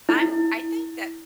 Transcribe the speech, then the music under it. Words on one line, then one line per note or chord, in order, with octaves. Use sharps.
I'm I think that,
E4